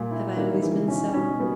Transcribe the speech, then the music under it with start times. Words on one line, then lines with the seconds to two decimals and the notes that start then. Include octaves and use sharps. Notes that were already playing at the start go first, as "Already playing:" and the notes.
Have I always been so?
Already playing: A#2 G3 A#3
0.11 E4
0.37 D#3 G3 A#3
0.53 D#3 G3
0.63 E3
0.72 C#3
0.88 B2 D#3 C#4
1.14 B2 D#3 C#4
1.40 G3 A#3 B3